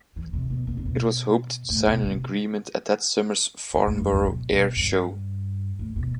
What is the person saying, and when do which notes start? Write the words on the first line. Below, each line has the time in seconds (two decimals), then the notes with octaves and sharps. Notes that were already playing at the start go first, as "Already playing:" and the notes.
It was hoped to sign an agreement at that summer's Farnborough Air Show.
0.16 E3
0.33 C3
0.50 B2
0.67 B2
0.77 C3
0.85 B2
1.70 A2
1.87 B2
2.04 C3
3.74 C3
3.87 A2
3.99 F#2
4.13 G2
4.21 A2
4.25 B2
4.51 B2
4.76 G2
5.79 A2
5.96 B2